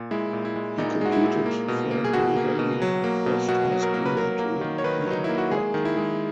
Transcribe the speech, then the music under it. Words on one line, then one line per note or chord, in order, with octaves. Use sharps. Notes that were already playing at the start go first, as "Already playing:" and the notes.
He competed for Blue Valley Northwest High School and Link Year Prep.
Already playing: A#2
G#3 E4
A#2
E4
G#3
A#2 D#4
G#3 F#4
E4
A#2
A#3
B2
A#3
G#4
B2 F#4
A#3
B2
F#3
A#3
B2
B2 F#4
F#3
A#4
A#3
B4
F#3 A#4
A#3
D#3
C#5
D#3 B4
F#3 D#4
E4
A#3
F#4
G#3 G#4
D#3
E4
G#3